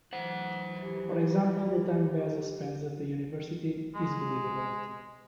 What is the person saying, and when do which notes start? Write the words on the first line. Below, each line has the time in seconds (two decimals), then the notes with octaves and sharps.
For example the time Besa spends at the university is believable.
0.13 E3 F#3 C5 F#5
0.81 G4
3.95 G#3